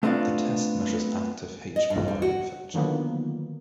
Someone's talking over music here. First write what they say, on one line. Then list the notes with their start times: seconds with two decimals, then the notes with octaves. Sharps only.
The test measures active "H. pylori" infection.
0.03 A3 B3 C4 D4 F4 F5
1.76 D#5
1.90 G2
2.08 G3
2.22 F#4
2.74 D3 D#3 F3 F#3 A#3 B3